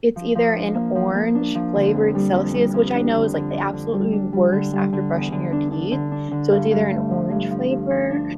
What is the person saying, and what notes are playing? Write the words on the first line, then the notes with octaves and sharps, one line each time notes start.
it's either an orange flavored Celsius which I know is, like, the absolutely worst after brushing your teeth, so, it's either an orange flavor
F3
F3
D4
A#3
F3
A#3
D4
F3
D3
F2
G3
F2
G3
F2
D4
D3
D3
D4
D3
G3
D4
G3
D3
G3
D3
E2
D3
D4
D4
D3
D4
D3
G2
G2
A3
F3
G2
F3
G2
F3
D4